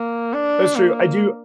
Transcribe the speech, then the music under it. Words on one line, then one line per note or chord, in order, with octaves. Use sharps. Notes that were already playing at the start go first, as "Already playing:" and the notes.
That's true. I do
Already playing: A#3
D4
A#3